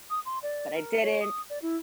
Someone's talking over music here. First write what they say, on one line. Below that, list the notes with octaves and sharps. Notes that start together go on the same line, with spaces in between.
but I didn't,
D#6
C6
D5
A#4
C#5
D#6
D5
E4